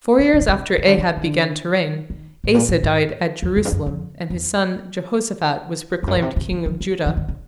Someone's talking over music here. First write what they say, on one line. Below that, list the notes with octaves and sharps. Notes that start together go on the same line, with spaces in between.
Four years after Ahab began to reign, Asa died at Jerusalem and his son Jehoshaphat was proclaimed king of Judah.
C#3
C3
C#3
C3
C#3
D3
C#3
D#3
D3
D#3
A2
A#2
A2
G#2
E2
F2
G2
F#2
F2
E2
F2
F#2
B2
C3
C3
E3
F3
F#3
E3
D3
C#3